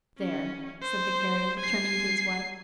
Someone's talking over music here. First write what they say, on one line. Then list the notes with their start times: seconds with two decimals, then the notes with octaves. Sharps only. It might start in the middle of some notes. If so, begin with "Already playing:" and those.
"There!" said the Carrier, turning to his wife.
0.18 C#4
0.82 C5
1.60 G#5 C7